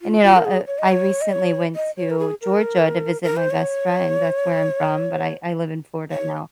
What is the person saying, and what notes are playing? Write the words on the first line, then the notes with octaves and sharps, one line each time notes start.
And, you know, uh, I recently went to Georgia to visit my best friend, that's where I'm from, but I I live in Florida now,
F4
F4
A#4
G#4
C#5
D#5
C#5
D#5
C#5
D#5
C#5
A#4
G#4
A#4
A#4
C5
C#5
C#5